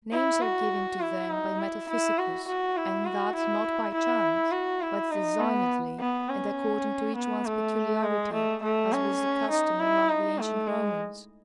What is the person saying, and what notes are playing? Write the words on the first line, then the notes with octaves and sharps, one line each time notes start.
Names are given to them by Metaphysicus, and that not by chance, but designedly, and according to each one's peculiarity, as was the custom among the ancient Romans.
E4
F#4
E4
D#4
E4
E4
F#4
F#4
E4
F#4
E4
E4
F#4
E4
D#4
B3
B3
C#4
B3
A3
G#3
A3
A3
C#4
D#4
E4
D#4
A3
G#3